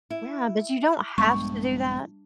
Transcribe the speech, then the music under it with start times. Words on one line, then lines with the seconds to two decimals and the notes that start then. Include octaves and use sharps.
Yeah, but you don't have to do that.
0.10 E4
1.18 A#1 G2 G#3 B3 C#6